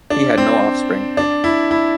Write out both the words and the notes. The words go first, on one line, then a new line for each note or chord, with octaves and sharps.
He had no offspring.
D4
C4
D4
E4
E4